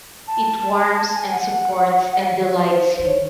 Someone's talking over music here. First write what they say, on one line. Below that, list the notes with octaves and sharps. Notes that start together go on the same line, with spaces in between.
It warms and supports and delights you.
A5
A5
G#5
F#5
C5
C5
C#5